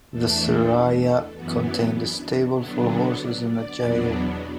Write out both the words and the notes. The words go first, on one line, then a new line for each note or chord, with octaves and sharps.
The Seraya contained a stable for horses and a jail.
E2 E3 A3 D4 A4
A4
F#2 E3 B3 F#4
E4
D4
D4
D3 F#3 B3 D4 E4
A4
D5
D5
E2 B2 F#3 B3 D4